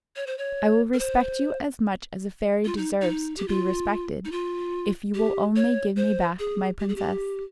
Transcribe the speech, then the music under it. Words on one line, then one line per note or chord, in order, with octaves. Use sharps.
"I will respect you as much as a fairy deserves to be respected, if you will only give me back my princess."
C#5
C5
C#5
A#4
C5
F4
D#4
D#4
G4
F4
D#4
F4
G4
C#5
C5
G#4
G4
G#4
G4